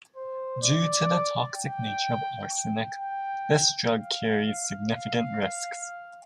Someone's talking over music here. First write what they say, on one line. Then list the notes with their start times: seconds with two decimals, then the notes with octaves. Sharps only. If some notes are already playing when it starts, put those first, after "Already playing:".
Due to the toxic nature of arsenic, this drug carries significant risks.
0.16 C5
0.62 D5
1.54 G5
2.91 G5
3.83 F5
4.28 F5
4.75 F5